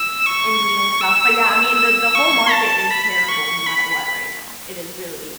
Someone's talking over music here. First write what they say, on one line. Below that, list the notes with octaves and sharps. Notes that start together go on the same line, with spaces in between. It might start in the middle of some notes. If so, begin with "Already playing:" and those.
Indeed, and stuff, but yeah, I mean, the the whole market is terrible no matter what right now, it is really,
Already playing: E6
C#6
E6
E6
C#6
A5
B5
C#6
B5